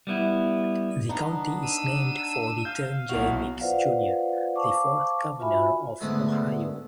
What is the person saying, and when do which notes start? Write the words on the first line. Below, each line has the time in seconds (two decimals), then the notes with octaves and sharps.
The county is named for Return J. Meigs, Junior the fourth Governor of Ohio.
0.07 G3 B3 E4
1.09 B3 D4 D#4
1.65 E6 D#7
2.65 F5 G6
3.09 B1 E4 F#4 F7
3.60 F4 B4 C5 D5 F5 F#5
4.56 C5 F5 A5 C#6 D6
5.40 F4 F#4 E5 G#5 B5
6.00 G#2 D3 A3 B3 E4 G#4